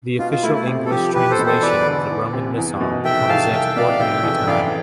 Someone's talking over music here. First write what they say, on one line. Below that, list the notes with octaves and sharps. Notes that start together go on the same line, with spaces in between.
The official English translation of the Roman Missal calls it Ordinary Time.
B2 F4
F4
A3 E4
E4
C3
A4
F3 G4
E2 G4 B4
A4 C5
B2
A4 C5
E2 B4 D5
D3
E2
C3
E2
B2
F1 E5 G5
E2 F5 A5
C2 E5 G5
B2 D5 F5
F1 E5 G5
E2
A1 D5 F5